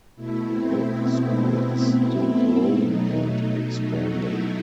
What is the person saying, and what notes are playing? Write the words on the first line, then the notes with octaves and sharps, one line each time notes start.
The school is still growing and expanding.
B2 A3 E4
C4
B3
C4
B2 F#3 A3 D#4
E4